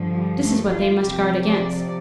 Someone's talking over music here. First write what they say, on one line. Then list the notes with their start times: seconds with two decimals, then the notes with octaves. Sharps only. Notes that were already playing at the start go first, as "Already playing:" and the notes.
This is what they must guard against.
Already playing: G2 D3 F3
0.15 G3
0.44 A3
0.73 F4
1.02 F2 C3 F3 G4
1.45 D5